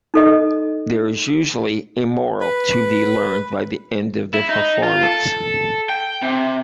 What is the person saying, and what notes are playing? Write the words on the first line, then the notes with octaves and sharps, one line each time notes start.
There is usually a moral to be learned by the end of the performance.
D#4 A4 D#5
B4
E4
D#4
F4
A4
G5
C3